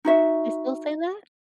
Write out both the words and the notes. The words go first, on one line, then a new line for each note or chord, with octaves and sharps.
they still say that?
D#4 F#4 E5